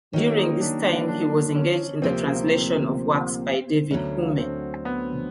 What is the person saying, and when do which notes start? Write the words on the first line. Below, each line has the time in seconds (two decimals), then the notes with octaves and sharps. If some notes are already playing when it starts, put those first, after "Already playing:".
During this time he was engaged in the translation of works by David Hume.
0.13 D#3 F#3 A#3 C#4
0.37 D#4
0.61 D4
0.84 D4
1.08 D4
1.55 C#4
2.02 D2 C3 F3 A#3 C4
3.91 D2 D3 F#3 C#4
4.38 C4
4.85 B3